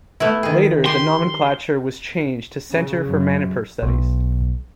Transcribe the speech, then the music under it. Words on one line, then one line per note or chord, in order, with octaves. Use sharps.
Later the nomenclature was changed to Center for Manipur Studies.
A3 B3 E4
D#3 G#4
G4 C6
C#3
F#2
B1